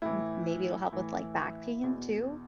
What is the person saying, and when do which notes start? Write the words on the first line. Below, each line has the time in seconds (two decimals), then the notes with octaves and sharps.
M maybe it'll help with, like, back pain, too?
0.02 A2 E3 E4
0.92 A2 E3
1.83 E2 B2